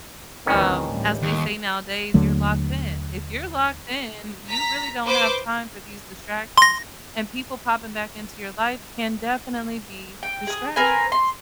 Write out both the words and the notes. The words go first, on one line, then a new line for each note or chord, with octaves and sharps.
um, as they say nowadays, "You're locked in." If you're locked in, you really don't have time for these distractions, and people popping back into your life can definitely be distractions.
D2 G2 D#3 E3 C4 C#4
A1 G3
D#2
D#2 D3 F#3 A3
A#5 B6
B4 C5 D6
C6 A#6
G5
G#4 D#6
C4 A#4 B4 G#5
C6